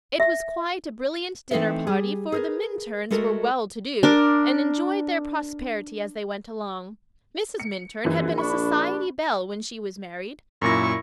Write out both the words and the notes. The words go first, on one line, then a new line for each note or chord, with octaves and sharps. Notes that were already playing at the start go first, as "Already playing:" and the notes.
It was quite a brilliant dinner party, for the Minturns were well-to-do and enjoyed their prosperity as they went along. Mrs. Minturn had been a society belle when she was married.
E5
E3 A3 C4 D#4 A4 E5
G3 G#4
G#4 A#4 B4
G#3 A3 F#4 A4 A#4
D4 A#4 D6
C#7
A#1 F#2 E3
D4 B5 C#6
F#2 A#2 E4 C#6 A#6